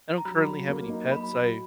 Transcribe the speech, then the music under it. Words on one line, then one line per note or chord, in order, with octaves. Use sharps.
I don't currently have any pets. I
A#5
F#3 B5
F#3
A#3
D#4
F#3 B5
F#3